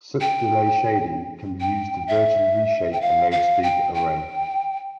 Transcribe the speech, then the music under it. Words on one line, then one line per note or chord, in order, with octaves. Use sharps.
Such delay shading can be used to virtually reshape a loudspeaker array.
G5
G5
E5
G5
F5
F5
G5
G5